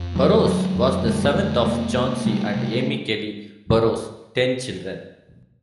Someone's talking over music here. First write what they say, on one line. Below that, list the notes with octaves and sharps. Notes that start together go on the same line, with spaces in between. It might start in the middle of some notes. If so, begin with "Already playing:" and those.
Burroughs was the seventh of Chauncy and Amy Kelly Burroughs' ten children.
Already playing: F2
D3 E3 F#3
D3 F#3 G#3
F2
D3 G3 A3
F2
C3 G#3 A#3
C3
C3 G3 A3
C3